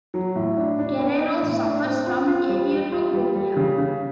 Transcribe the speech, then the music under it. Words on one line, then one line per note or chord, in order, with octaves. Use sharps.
Guerrero suffers from aviatophobia.
F#3
A2
D4
D4
B3
D4
A2
D4
C4
F4
F4
G3
G3
F4
G3
G3
C#3
C#3